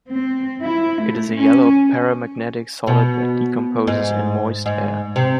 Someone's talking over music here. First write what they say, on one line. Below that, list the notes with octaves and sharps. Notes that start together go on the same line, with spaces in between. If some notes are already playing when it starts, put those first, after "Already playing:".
It is a yellow paramagnetic solid that decomposes in moist air.
C4
E4
A3
C#4
B2
G#2
G#2
C3